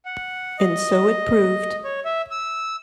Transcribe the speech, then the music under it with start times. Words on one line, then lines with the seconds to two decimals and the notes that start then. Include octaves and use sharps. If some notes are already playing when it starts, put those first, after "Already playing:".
And so it proved.
0.06 F#5
0.59 D#5
1.84 C#5
2.05 E5
2.31 E6